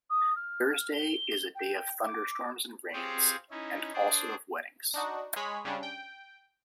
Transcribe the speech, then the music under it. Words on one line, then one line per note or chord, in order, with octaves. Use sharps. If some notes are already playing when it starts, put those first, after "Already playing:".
Thursday is a day of thunder-storms and rains, and also of weddings.
D#6
F6
G7
G5
D6
C4 F4 G4 G#4 C5 C#5
C#4 D#4 E4
D4 G#4 C5 D5
D4 D#4 F#4
G#3 G#4 C#5 B5 B6
C#3 G3 C#4 D4
G5